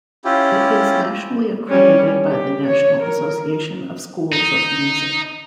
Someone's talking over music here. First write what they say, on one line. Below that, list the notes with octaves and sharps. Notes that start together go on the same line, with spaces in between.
It is nationally accredited by the National Association of Schools of Music.
C#4 E4 F4 G4
G3 C#4
G4
C#5
A#4
D#4